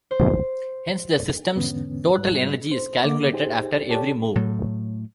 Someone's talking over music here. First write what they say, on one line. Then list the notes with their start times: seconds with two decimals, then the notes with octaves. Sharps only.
Hence, the system's total energy is calculated after every move.
0.11 C5
1.55 E2 G#2 D3 B3 C#4
2.16 G#2 G3 F#6
2.72 C5
3.04 D3 A#3 D6
3.33 D#4 G4 G#4 C5
3.89 G4 A4 C#5 D5 A5
4.35 A2 F#3 A3